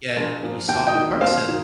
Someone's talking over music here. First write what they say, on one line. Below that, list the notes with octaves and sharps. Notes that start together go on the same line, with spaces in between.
Yet when you saw him in person,
A#1
A#2 F3
D#2 G5
D#5 G5
D#3
D#2 C5 F5
D#3